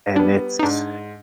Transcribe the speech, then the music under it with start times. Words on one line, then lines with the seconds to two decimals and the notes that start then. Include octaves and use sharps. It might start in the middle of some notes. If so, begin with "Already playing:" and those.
and it's
0.16 G3 B3 D4
0.59 D#4
0.63 G#2 D4